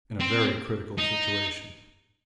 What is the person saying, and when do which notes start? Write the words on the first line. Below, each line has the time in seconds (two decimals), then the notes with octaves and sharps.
In a very critical situation.
0.21 C4
0.98 D#4